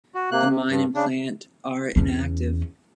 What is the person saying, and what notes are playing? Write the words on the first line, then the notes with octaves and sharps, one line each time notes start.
The mine and plant are inactive.
F#4
C3 A#3 F#6
C3
G2
C#3 D4
E2 C#4